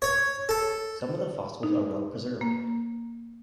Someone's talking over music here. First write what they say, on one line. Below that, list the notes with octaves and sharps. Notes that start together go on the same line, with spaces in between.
Some of the fossils are well-preserved.
C#5
A4
D#4
A#3